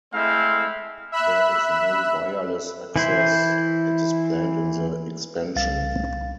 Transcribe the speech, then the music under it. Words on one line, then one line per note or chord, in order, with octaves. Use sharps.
There is no wireless access; it is planned in the expansion.
G#3 A3 C4 E4 F5
E5 B5 E6 F#6
E3 E4 C5
C2 G3 F5 A6